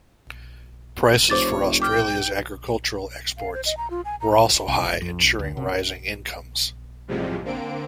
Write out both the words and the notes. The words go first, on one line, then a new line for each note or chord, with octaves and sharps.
Prices for Australia's agricultural exports were also high, ensuring rising incomes.
F1 C5 C#5 D6 A6
G5 D6 F6
F5
C5
D#5
A#5
F4
G#5
A#5
C2
F1
F2
B1
D2
C3
F#2 A2 C3 F3 G3 G#3
D3 A#3 C4 D7